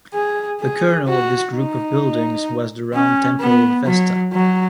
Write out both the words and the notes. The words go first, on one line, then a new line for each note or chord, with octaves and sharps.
The kernel of this group of buildings was the round temple of Vesta.
G#4
G#4
F#4
D#4
C#4
B3
F#3
F#3